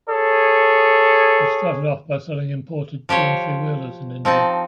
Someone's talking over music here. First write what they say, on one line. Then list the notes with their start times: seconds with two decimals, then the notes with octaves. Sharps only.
It started off by selling imported two- and three-wheelers in India.
0.10 G#4 A4 C#5
3.09 F3 G4 C5 C#5
4.25 F3 C4 D#4 A5